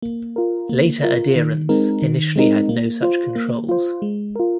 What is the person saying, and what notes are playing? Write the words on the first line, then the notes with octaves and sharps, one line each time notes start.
Later adherents initially had no such controls.
A#3
F4 A#4
A#3
F4 A#4
D#3
G#3 C4 D#4 A#4
D#3
G#3 C4 D#4 A#4
A#3
F4 C5
A#3
F4 C5
G#3
F4 A#4